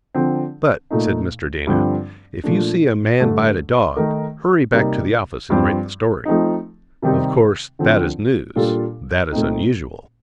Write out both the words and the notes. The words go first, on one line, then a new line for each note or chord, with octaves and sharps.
"But," said Mr. Dana, "if you see a man bite a dog, hurry back to the office and write the story." Of course that is news; that is unusual.
D3 F3 C4
A#2 A3 D#4
G2 D3 F3 C4
A#2 F3 A3 D4
G2 D3 A3 D4
D#3 A3 D#4 A#4
C3 G3 A#3 D#4
G2 F3 C4
F3 A3 C4 D#4
C3 D#3 G3 C4 D#4
D3 F3 C4
A#2 G3 D4 F4 A4
A#2 A3 C4 D#4